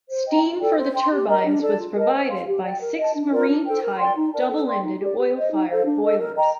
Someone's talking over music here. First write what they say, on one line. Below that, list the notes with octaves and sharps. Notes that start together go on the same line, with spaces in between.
Steam for the turbines was provided by six Marine-type double-ended oil-fired boilers.
C5
D#5 G5 A#5
F4
A4 D5 G5
C5
G5 C6
G4
A#4 D#5 A#5
D4
A4 D5 A5
F4
A#4 D#5 A5
C5
F5 C6
G4
D5 G5
A#4
D#5 A5
D4
F4 A#4 D5
D4
A4 C5 G5
A#4
D5 G5 C6
D#4
A#4 D5 A5
A4
D5 G5 C6
D#4
G4 D5
G4
C5 D#5
D#4
A4 C5 F5
D4
A4 D#5
A#4
D#5 G5 A#5